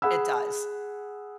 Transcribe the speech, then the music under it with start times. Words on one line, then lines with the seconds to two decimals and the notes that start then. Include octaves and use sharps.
it does.
0.02 G#4 F#5 B5 E6